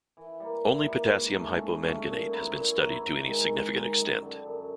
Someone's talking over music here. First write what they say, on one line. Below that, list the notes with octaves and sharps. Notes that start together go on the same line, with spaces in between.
Only potassium hypomanganate has been studied to any significant extent.
E3
G3 A#3
E3
G3 A#3
G#2
F3 A3 C#4
G#2
F3 A3 C#4
A#2
F#3 B3 E4
A#2
F#3 B3 E4
G#2
D#3 G#3
G#2
D#3 G#3
F#2
D3 G3
F#2